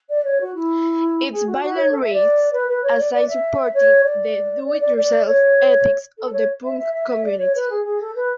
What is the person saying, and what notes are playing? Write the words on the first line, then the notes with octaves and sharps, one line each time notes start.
Its byline reads "A zine supporting the Do-It-Yourself ethics of the punk community".
D5
C#5
F#4
E4
G#4
F#4
F#4
C#5
A4
E5
D5
B4
B4
C#5
D5
D5
E5
C#5
D5
D5
D5
D5
C#5
A4
C#5
E5
E5
E5
E5
D5
C#5
B4
G#4
G#4
A4
B4